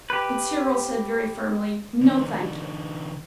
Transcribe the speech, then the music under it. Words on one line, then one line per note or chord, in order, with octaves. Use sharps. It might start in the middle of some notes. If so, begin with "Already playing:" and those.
But Cyril said very firmly, 'No, thank you.
G4 B4
D3 E3